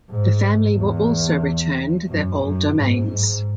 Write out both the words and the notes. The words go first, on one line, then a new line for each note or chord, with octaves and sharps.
The family were also returned their old domains.
G#2
E2
F#2
F#2
G#2
G#2